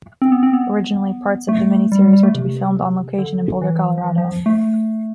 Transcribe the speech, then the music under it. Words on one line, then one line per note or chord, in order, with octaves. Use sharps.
Originally, parts of the miniseries were to be filmed on location in Boulder, Colorado.
C4
B3
C4
B3
A3
G3
G3
G3
A3
C3
D3
E3
F3
E3
F3
A3